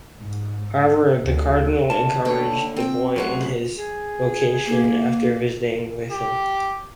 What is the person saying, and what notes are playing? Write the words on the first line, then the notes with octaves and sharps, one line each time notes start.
However, the Cardinal encouraged the boy in his vocation after visiting with him.
G#2
D2
A#2 C#3 A5
D#2 D3 G4 A4 C#5
C4 G5
A2 C3 F#3 C#4 G#4 F#5
G#4
A#3
G4